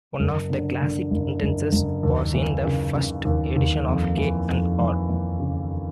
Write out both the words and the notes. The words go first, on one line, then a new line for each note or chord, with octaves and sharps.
One of the classic instances was in the First Edition of K and R.
F#1
D3
D3
F#1
F#1
F#1
D#2
E3
C#3
C#3
D#2
D#2
F2
E3
F2
E3
E3
C#3